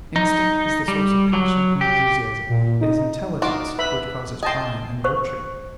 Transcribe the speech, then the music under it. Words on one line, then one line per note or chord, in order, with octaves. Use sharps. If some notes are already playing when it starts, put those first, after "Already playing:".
Instinct is the source of passion and enthusiasm; it is intelligence which causes crime and virtue.
D#4
G3
F#3
G4
A#2
D#4
D4 D#4 F4 F#4 F5 D6
B4 E5 B5
G#4 D#5 G5 A5 C6
C5 C#6